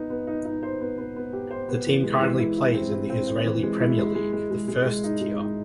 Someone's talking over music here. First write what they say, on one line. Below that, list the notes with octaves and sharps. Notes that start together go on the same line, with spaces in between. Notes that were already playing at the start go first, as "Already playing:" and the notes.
The team currently plays in the Israeli Premier League, the first tier.
Already playing: B3 D#4
B3
D#4
D#4
C5
B3
B3
B3
G4
C5
B3
E3
G#3
E3
E4
E4
C4
E4
C4
C4
E3
G#3
E4
G#3
G#3
G#3
G#3
G#3
G#3
D#4
G#3
D#4